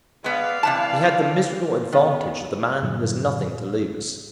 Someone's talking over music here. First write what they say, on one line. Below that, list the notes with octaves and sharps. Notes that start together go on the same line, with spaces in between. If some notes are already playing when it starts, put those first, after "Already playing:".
He had the miserable advantage of the man who has nothing to lose.
G#3 B3 D5 F5
C3 E3 A5
D#3 B3
G2 A#2 D3 F#3